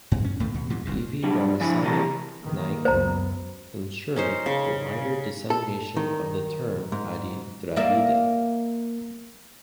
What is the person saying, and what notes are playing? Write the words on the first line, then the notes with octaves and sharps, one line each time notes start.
E. V. Ramasami Naicker ensured the wider dissemination of the term "Adi Dravida".
G2
C#4
C#2 A2 D#3 A3
D#2 B2
G#2 C3 E3 F3
D#1 C2 F#2 C3
F#3 G3 D4
F3 D4 E4 G#5
C3 E3 A3 A4 A#4
D#3 A#3
C#2 F#2 B3 C5 A#5
C#4 D#4 C5
C#3
A4
D#3
G#2
A#3 D5 E5